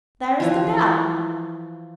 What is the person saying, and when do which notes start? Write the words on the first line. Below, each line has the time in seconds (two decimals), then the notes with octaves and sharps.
"There's the bell!"
0.40 E3 F3